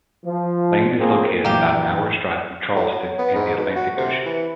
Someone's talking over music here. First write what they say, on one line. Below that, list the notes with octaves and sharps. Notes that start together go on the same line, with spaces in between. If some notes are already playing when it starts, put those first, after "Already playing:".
Lane is located about an hour's drive from Charleston and the Atlantic Ocean.
F3
F3 A#3 C4 G#4
A#1 F#2 E3 A#3 G4
A2
F#3
B3
G#2
B2
F#4
C3
E3